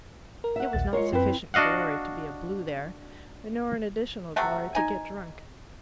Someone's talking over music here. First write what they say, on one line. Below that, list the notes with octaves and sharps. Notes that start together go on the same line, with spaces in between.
It was not sufficient glory to be a Blue there, nor an additional glory to get drunk.
A#4
E5 F#5
A#1 D#2 A6
G#3 F4 A#4 C#5 C#7
F#2 C4 E4 B4
D4 F#4 D#5 F5 F#5
C3 F#3 A3 F#4
D#4 G#5